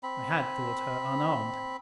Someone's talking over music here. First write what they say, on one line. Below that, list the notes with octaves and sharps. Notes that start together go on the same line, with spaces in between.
I had thought her unarmed.
C4 B5